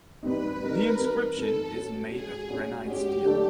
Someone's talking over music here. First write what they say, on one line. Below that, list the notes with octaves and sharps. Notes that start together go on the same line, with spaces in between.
The inscription is made of granite stele.
G3 C4 D#4 B4
G3 C4 D#4 A#4
G3 C4 D#4
G3 C4 D#4 A4
G#3 C#4 F#4
G#3 C#4 F#4 G#4
G#3 C#4 F#4
G#3 C#4 F#4 G4
D3 F#3 A3 D4